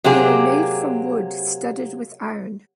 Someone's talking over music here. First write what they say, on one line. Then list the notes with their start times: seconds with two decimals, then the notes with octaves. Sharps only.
They were made from wood studded with iron.
0.04 C3 F#3 A#3 G4 G#4